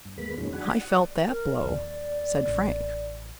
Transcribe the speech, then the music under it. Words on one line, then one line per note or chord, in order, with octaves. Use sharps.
"I felt that blow," said Frank.
G2
D#2 G#3 A#3 B3 B5
F2 A#2 D#3 F#3 G#3 C#4
D4 F#4 F#5 G#5 B5
F#5 C#6 D#6
D5
A#4
D#2 D5
A1